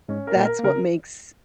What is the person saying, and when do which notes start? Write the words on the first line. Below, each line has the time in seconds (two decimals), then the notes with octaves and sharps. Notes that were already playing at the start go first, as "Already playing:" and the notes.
that's what makes
0.09 G#2 G#3 C#4
0.27 A#4
0.36 A#2 A#3
0.45 A#4
0.59 A#3
0.64 C#3 C#4 A#4